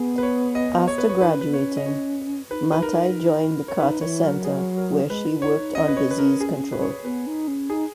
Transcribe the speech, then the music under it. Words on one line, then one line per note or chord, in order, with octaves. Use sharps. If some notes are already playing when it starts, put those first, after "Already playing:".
After graduating Mathai joined the Carter Center where she worked on disease control.
Already playing: B3 G#4
B4
C#5
D#5
C#5
B4
C#5
D#4 B4
C#4
B4
B3
C#5
C#4
D#5
C#5
D#4 B4
B4
A#4
C#5
D#4 B4
E3 C#5
F#3 A#4
G#4
A#4
G#3 B4
E4
E4 C#5
D#4
C#4 D#5
B4
C#5
B4
A#4
G#4
B4
C#5
B4
B3 B4
D#4
C#4
D#4 G#4